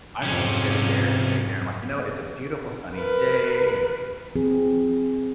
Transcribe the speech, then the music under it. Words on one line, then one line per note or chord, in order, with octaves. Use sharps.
I'm just sitting there and sitting there and like, you know, it's a beautiful sunny day, and
F2 G#2 C3 C#4
A#4 B4
F3 C4 G#4